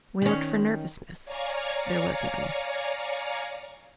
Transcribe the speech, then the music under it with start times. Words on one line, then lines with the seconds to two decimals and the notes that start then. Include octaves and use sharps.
We looked for nervousness--there was none.
0.22 D#3 C#4
1.25 C#5 D5 F5 G#5 A#5 C#6